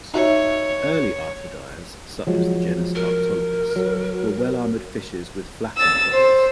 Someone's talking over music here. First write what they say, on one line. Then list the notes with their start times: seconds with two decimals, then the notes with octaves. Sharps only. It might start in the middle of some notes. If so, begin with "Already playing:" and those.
Early arthrodires, such as the genus "Arctolepis", were well-armoured fishes with flattened bodies.
0.14 D#4 F#4 C#5 E5
2.27 F3 F#3 G#3
2.95 A#4
3.76 F#3
5.76 E6 A6
6.14 C5